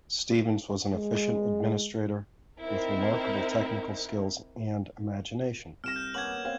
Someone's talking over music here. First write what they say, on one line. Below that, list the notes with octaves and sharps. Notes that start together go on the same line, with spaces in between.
Stevens was an efficient administrator with remarkable technical skills and imagination.
G#3
C4 D#4 E4 A#4
C2 F6 A#6 E7
G6
A#3 B3 C#4 G#6 F#7
C4 C#5 F5